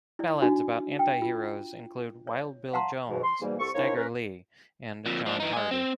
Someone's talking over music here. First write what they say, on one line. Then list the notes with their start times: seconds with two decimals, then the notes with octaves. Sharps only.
Ballads about anti-heroes include "Wild Bill Jones", "Stagger Lee" and "John Hardy".
0.19 E4 D5
0.42 D4 D#4 F#4
0.99 G5
1.22 F4
2.27 C#5
2.73 F5 F#5 A5 A#5 C6
3.09 G#2 B2 E3
3.23 C6
3.41 G#2 B2 E3 G3 A#3
3.59 C2 C4 A4 C#6
3.75 D#3 A#3 D4 E4 C5 C#5
3.96 C#4 A#4 B4
5.06 F2 A#2
5.26 F3 D4
5.40 E3 D#4
5.53 D#5 G#5
5.71 C4